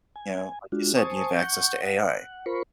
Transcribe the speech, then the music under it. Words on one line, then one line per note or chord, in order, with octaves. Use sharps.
you know, like you said, you have access to AI.
G#5
G#3 D4 F4 F#4
C5 G#5 A5 C#6 D#6
F#5 C#6 G6
F#5
F4 A#4 C5 B5 C#6